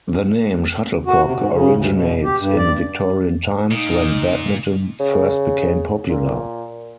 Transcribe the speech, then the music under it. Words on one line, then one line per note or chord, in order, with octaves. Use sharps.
The name 'shuttlecock' originates in Victorian times, when Badminton first became popular.
F#4
C3
G#2
C#3
D2
B2
G4
G2
D5
A#2 D#4 D#5
C#3
A#2